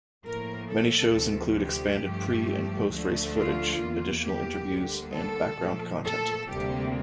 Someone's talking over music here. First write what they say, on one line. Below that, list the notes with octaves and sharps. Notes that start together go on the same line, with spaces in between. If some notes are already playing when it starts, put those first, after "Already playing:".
Many shows include expanded pre- and post-race footage, additional interviews, and background content.
A2 F3 A#3 A#4
A4
D2 C3 F3
G4
G2 F3 A3
D2 D3 F3 A3
F4
E2 E3 A#3
G4
D2 D3 G3 A#3
A4
A#2 F3 A3
A4
D2 C3 G3 A#3 G4